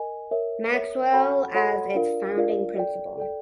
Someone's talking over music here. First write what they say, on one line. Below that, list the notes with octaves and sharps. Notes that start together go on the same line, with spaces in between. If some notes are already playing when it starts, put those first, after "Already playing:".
Maxwell as its founding principal.
Already playing: A#4 D#5 G#5
A#4 C#5 E5
A#4 C#5 E5
F#4 A4 C#5 F#5 B5
F#4 A4 C#5 F#5 B5
D4 F4 A#4 D5 F5
D4 F4 A#4 D5 F5
A4 D5 G5
A4 D5 G5